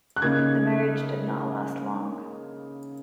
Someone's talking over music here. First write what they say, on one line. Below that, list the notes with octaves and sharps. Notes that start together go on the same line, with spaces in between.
The marriage did not last long.
F#6
C#3 A#3 D#4 G#6